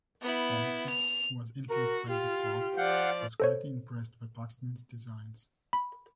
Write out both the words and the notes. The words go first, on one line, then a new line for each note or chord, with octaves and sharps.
Olmsted, who was influenced by the park, was greatly impressed by Paxton's designs.
B3 E4
F7
F#4 A#4
F4 G4
F3 D5 F5 F#5 G6
A4 C5 C#5
B5